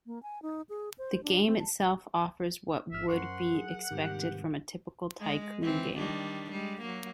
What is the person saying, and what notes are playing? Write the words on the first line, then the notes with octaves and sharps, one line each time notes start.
The game itself offers what would be expected from a typical tycoon game.
A#3
G#5
D#4
G#4
C5
D4
C4
A5
A1 G#2 E5 F6
F#2 A#4 C5 F#5 C6 C#6
F#3 G#4
G#2 C3 D#3 G3 G4
G#3
E3 C4
D#3 G3 D4
G3 G#3
F#3 A#3